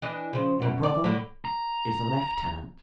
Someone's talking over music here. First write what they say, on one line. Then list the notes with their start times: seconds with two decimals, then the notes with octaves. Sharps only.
Your brother is a lieutenant.
0.02 E3 D4 D#5
0.33 C#3 F3
0.62 F#2 B2
0.83 D5
1.04 A2 D3
1.45 A#5